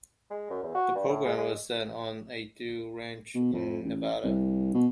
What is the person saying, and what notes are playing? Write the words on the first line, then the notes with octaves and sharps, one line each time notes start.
The program was set on a dude ranch in Nevada.
G#3
F#2
E2
F#4
G2
A2
G#3
G#3
B2
F2
A1
C2
B2